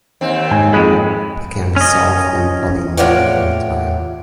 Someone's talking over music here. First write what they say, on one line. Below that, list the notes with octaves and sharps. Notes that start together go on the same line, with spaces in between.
It can be solved in polynomial time.
D#2 C4
G#2 G#3 G#5
F2 G#3 B5
C#4 D#5
A2 F4 C#5 D5 F#5 G5